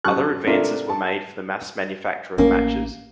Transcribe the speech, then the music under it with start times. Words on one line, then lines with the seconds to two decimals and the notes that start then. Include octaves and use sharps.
Other advances were made for the mass manufacture of matches.
0.04 F#2 G4 A5 C#6 F#6
0.47 C3 A3 D4 F4 A#4 E5
0.89 A5
2.38 A1 A#3 C#4